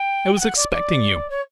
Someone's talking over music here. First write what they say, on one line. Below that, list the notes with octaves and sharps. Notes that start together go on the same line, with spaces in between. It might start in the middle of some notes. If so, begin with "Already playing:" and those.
I was expecting you.
Already playing: G5
G5
F#5
D5
D5
C#5